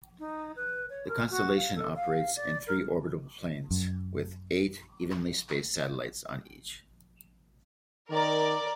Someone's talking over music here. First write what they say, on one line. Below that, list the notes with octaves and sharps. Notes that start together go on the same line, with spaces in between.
The constellation operates in three orbital planes, with eight evenly spaced satellites on each.
D#4
B4
C#5
A#4
F#4
F5
A4
F5
D5
A#4
F#2
D#3 A#4 D5